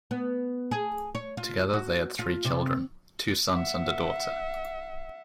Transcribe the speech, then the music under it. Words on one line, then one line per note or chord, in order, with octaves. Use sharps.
Together they had three children: two sons and a daughter.
B3
G#4
C#5
F4
F#4
F4
C3
E5 F#5